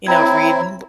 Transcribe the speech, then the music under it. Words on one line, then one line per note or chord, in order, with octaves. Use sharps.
you know, read w
C4 E4 C#5 A#5 G#6